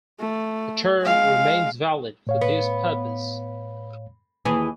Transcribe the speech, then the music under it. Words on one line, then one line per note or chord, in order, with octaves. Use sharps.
The term remains valid for this purpose.
A3
G#3 F5
A2 C#5 F5
B3
D#2 E3 G#4